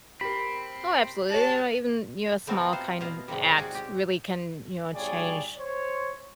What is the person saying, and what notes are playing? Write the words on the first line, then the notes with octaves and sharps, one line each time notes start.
Oh, absolutely, you know, even, you know, a small kind act really can, you know, change
C4 G4 A#4 B5
G#3 G4 C#5 A5
A3 B3 C4 F4 F#4 A#4
F4 C5 F5 F#5
B2 D#5 F5
G#2 C3 D#3 F3 G3
C4 F4 F#4 G#4 D5 D#5
G4
B1 D3 G3 G#4 C#5 D5
C5 C#5